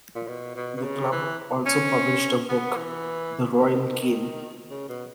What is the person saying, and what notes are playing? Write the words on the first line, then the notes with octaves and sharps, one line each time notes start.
The club also published a book, "The Royal Game".
A#2
B2
B2
B2
C#3
E3
C#4
B3
E3
D#3
C#3
B2